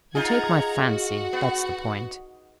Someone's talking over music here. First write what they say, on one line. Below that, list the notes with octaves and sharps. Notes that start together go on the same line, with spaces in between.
You take my fancy; that's the point!
D#4 F4 G#4 F#5 A#5 G#6
F#4 F#5
B3